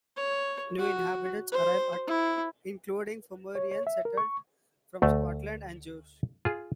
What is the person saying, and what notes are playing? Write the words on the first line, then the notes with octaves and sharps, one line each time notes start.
New inhabitants arrived, including Pomeranians, settlers from Scotland, and Jews.
C#5
F#4
C5
E4
C#5
C#5
E5
A#4
C#6
D2 A3
F4 G#4